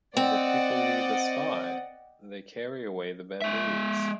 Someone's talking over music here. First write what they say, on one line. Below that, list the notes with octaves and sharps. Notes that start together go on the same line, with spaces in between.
When the people leave the spot, they carry away the the bamboos.
C4 D5 D#5 F#5
G#3 E5